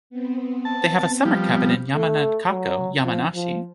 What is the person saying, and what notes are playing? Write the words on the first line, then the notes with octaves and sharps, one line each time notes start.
They have a summer cabin in Yamanakako, Yamanashi.
B3 C4
A5
F3 G3
A3
F#3
F3
F3